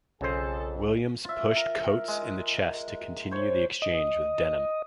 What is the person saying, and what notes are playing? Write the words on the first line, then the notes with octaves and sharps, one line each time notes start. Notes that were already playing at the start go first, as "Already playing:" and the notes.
Williams pushed Coates in the chest to continue the exchange with Denham.
B1 F2 C#3 G#4 A4 C5
F4 E5
A#4
G#3
C5 C#5
D#5